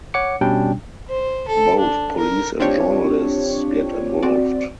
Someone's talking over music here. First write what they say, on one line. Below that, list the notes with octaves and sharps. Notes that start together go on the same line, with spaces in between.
Both police and journalists get involved.
C#5 F#5 D6 C#7
B2 G3 C#4 D4 G5
C5
A4
D4
A#4
C4 D4 F4 G4 C#5
C4 F#4 D5